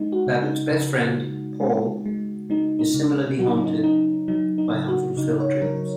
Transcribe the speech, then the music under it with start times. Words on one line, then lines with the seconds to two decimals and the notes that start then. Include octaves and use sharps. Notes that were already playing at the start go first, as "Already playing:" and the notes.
Babbitt's best friend, Paul, is similarly haunted by unfulfilled dreams.
Already playing: G#3 D#4
0.12 F#4
0.27 C#3
0.42 D#4
0.71 C#3
1.16 G#3
1.61 G#3
2.06 G#3
2.50 G#3 D#4
2.79 D#4
2.94 C#3
3.09 C#4
3.39 F#3 F#4
3.47 D#4
3.57 C#4
3.66 D#4
3.83 F#3 D#4
4.28 F#3 D#4
4.58 D#4
4.73 C#3
4.88 F#4
5.17 C#3 D#4
5.40 C#5
5.61 F#3 A#4